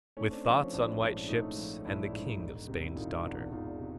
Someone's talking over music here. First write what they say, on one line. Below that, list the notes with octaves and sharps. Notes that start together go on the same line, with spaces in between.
"With thoughts on white ships And the King of Spain's Daughter."
A3 C#4 D#4
C4 D4
F3 C#4
C4
A#1 D4 E4
G#2
A3 D#4 F4
F3
A#1 D4 E4
G#2
E1
C3
E4
E1 D#4 F4
E2
E1 D#4 F4
C3